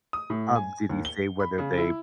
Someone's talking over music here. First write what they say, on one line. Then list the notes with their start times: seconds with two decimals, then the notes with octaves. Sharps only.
Um, did he say whether they
0.13 D#6
0.30 A2
0.55 G#5
0.89 D#2
1.05 G7
1.40 B5
1.58 C#3
1.78 E4